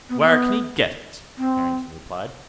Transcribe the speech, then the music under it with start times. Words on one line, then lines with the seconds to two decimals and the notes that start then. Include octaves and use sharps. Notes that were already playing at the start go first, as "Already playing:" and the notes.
"Where can he get it?" Harrington replied.
0.09 B3
0.18 A#3
0.25 B3
1.38 C4